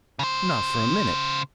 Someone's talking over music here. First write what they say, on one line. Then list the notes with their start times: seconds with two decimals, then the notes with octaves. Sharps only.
Not for a minute.
0.19 C#3 C5